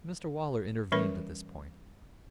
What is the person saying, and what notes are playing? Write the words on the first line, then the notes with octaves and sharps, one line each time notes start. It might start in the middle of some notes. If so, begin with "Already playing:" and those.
Mr Waller intervened at this point.
E3 G3 C#4 A#4 B4 B5